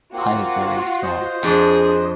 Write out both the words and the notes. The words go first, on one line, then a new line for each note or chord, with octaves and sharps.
Eye very small.
A#3 C4 F4 F#4
C5 D#5
F2 D4 G#4